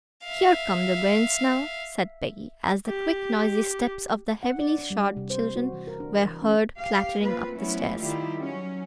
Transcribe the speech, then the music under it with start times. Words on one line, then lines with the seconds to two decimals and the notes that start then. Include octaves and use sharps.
"Here come the bairns now," said Peggy, as the quick, noisy steps of the heavily-shod children were heard clattering up the stairs.
0.24 E5 F5
2.88 G4
4.43 F#5
4.59 D5
4.78 D4
4.90 G3
5.17 C3
5.30 C5
5.56 F#4
5.72 E3
5.87 A#4
6.00 D4
6.26 E3
6.42 C#4
6.77 G4 F5
7.20 A#3 C4 F4 B4
7.57 F3 F#3 A3 B3 C#4 E4
7.97 D#3 G3 E4 F4 G4
8.40 F#3 C#4